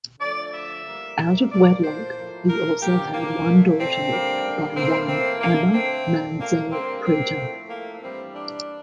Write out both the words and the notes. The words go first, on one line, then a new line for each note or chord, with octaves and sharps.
Out of wedlock, he also had one daughter by one Ema Manso Preto.
D3 F3 A3 D5
E5
A2 G3 A#3
A2 F3 A#3 D5
C5
A2 F3 A#3
A#4
G2 F3 A#3 G4
A#3
A#2 F3 A3
C4
D3 G3 A#3
A2 E3 A#3 C4
C4
D3 A3 A#3
C4
A#2 A3
A#3
D3 G3 A#3 C4
C4
A2 F3 A3
A#3
G2 E3 G3 A#3 C4
D4